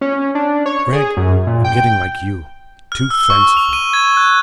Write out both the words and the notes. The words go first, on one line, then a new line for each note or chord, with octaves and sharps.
Gregg, I'm getting like you--too fanciful.
C#4
D4
C#5
G#4
F#2
A#2
G5
F6
E6
C#6
F7
D#7
G#6
F#6